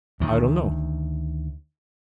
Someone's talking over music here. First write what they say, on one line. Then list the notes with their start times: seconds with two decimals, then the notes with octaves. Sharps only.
"I don't know."
0.20 D2 D#3